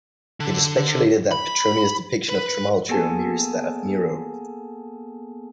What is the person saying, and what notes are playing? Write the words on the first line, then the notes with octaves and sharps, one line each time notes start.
It is speculated that Petronius' depiction of Trimalchio mirrors that of Nero.
D3
B5
B4
A#3 B3 G#4 A4 G#5 A5